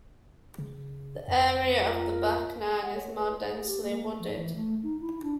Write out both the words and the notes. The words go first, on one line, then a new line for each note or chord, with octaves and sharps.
The area of the back nine is more densely wooded.
C#3
F2
F4 A#4
F#5
C#5
B4
G#4
G4
A#3
F3
E3
A3
D#4
E4
D4